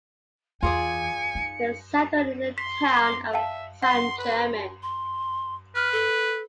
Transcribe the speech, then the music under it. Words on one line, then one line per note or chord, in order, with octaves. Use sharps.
They settled in the town of San German.
E2 F4 G#4 D5 G#5 C#7
D#4
C6 B6
D6
E5 F5 G5 A5
F#5 C6
B4
C6
B4 F6
A4